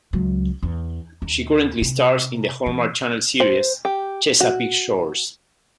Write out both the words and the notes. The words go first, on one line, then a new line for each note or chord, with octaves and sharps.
She currently stars in the Hallmark Channel series "Chesapeake Shores".
C#2 F#3
E2
D#2
C3
E3
C5
G4
F#4